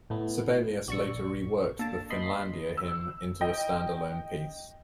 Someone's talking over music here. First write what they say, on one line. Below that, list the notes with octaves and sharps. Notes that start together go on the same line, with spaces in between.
Sibelius later reworked the "Finlandia Hymn" into a stand-alone piece.
A2 A3 B3
A#1 F#4 D5 C#6 E6
A#3 D4 A4 A5
D#5 B5 C6
E6
D#5 G5